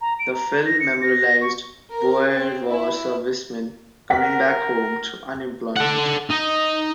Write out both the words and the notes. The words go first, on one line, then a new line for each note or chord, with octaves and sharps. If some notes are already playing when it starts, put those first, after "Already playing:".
The film memorialized Boer War serviceman coming back home to unemployment.
A#5
D7
A#5
A#6
C#7
A#6
C#6
A#4
C4
E4
A#4 F#5 B6
A4 F#5
D#4